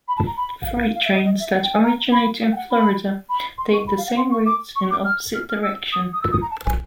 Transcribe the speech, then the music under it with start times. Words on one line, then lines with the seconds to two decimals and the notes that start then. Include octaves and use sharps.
Freight trains that originate in Florida take the same routes in opposite direction.
0.08 B5
0.17 A5
0.26 A#5
0.37 B5
0.62 F#5
0.66 F5
0.81 F5
0.95 F5
1.05 E5
1.14 D#5
1.25 D#5
1.40 E5
1.53 F#5
1.63 G5
1.73 G#5
1.84 A#5
2.12 B5
2.41 F5
2.52 G5
2.56 F#5
2.71 B5
3.29 B5
3.58 C6
3.73 C#6
3.87 B5
3.98 F5
4.07 F#5
4.17 C6
4.31 C#6
4.46 D6
4.76 C#6
4.91 D6
5.04 F6
5.35 F6
5.49 F6
5.63 E6
5.92 D#6
6.13 D#6
6.22 E6
6.32 D#6
6.42 A#5
6.51 A5
6.65 G#5